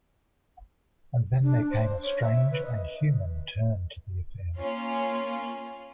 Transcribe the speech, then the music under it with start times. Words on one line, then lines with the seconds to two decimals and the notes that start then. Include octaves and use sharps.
And then there came a strange and human turn to the affair.
1.43 D4
1.70 C5
2.03 C#5
2.22 E5
2.51 B4
2.65 D#5
4.59 A#3 C#4 F4